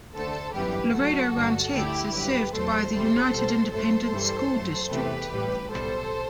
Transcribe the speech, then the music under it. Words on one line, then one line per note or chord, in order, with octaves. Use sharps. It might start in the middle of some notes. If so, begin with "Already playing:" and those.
Laredo Ranchettes is served by the United Independent School District.
D2 D3 A3 A4 C5
G1 F#2 E3 G3 G4 B4
F#2 F#3 A3 F#4 A4
G1 G2 D3
D2 D3 A3 E4 G4
G1 G2 F#3 G4 B4
E2 B2 F#3 A3 A4 C5
E2 C3 E3 G3 A4 C5
B1 B2 G3
F#2 F#3 A3 A4 C5
G2 E3 G3
F#2 F#3 A3
E2 C3 E3 A3 G4 B4
A1 A2 G3
B1 B2 G3 A4 C5